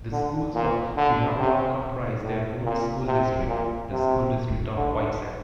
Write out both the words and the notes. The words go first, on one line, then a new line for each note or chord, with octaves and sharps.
The schools of Pinawa comprise their own school district, the School District of Whiteshell.
D3
A#2
D3
C3
A2
A#2
C3
A#2
C3
D3